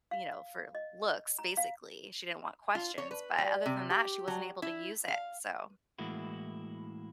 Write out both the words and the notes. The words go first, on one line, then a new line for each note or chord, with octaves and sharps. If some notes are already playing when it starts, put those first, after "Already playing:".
you know, for looks, basically, she didn't want questions but other than that, she wasn't able to use it. So,
F5
D#5
A#5
F5
F4
C#5
B4
G3
C3
G4
F#3
E4
F5
A2 E3 G#3 A#3 E4 F#4